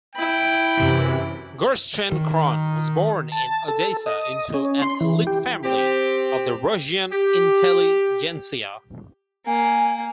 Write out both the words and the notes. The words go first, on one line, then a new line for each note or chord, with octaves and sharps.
Gerschenkron was born in Odessa into an elite family of the Russian intelligentsia.
E4 G5 B5
F#2 C3 E3
D#3
A5
A4
D#5
C#4
C6
E3
G4
C4 G4
G4
A#3 G#5